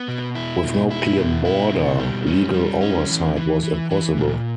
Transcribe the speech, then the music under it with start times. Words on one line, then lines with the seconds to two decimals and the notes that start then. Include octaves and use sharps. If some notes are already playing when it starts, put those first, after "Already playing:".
With no clear border legal oversight was impossible.
Already playing: B3
0.08 B2
0.35 E4
0.64 B2
0.91 E4
1.17 B2
1.45 E4
1.72 B2
1.99 G3
2.27 C#4
2.54 G3
2.81 C#4
3.09 E3
3.36 E3
3.63 E3
3.91 E3
4.18 A#2